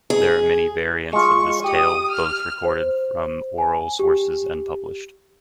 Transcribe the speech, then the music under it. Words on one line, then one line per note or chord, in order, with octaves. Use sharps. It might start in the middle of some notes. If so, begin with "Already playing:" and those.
There are many variants of this tale, both recorded from oral sources and published.
G#4
G#3 F4 C#6
G4 D#6
F6
C5
G#5
G4